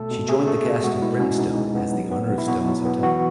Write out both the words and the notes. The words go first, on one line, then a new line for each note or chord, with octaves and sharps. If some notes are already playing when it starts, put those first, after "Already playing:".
She joined the cast of "Brimstone" as the owner of Stone's hotel.
Already playing: B2 A3 A4
B2
A3 G#4
A3
B2
G#3 F#4
B3 E4
B2 C#4
B2 D#4
G#3
B3
F#3
B3
B2
E4
B2 F#4
F#3
B3
E3 F#4